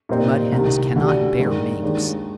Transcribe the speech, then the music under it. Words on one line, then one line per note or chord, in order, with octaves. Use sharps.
Mud Hens cannot bear Minks.
A#2 G3 C4 D#4
C2 C3 D#3
D2 D3 G3
G2 D#3 G#3
D#2 D#3 G#3 D4